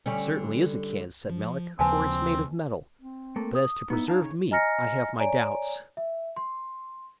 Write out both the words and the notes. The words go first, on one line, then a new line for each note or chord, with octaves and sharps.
"It certainly is a can," said Melick, "for it's made of metal; but as to preserved meat, I have my doubts."
D3 G3 C#4
F3
D#2 C#3 F3 C4 B4 G#5 A5
C4
A3 A#3
D#6
B3 D#4 E4
D4 D#4 F5 A5
C#3 C#5
D#5 G#5 A#5 F6 A#6 C#7
C#5 D5 G#5 A#5 D7
E5
C6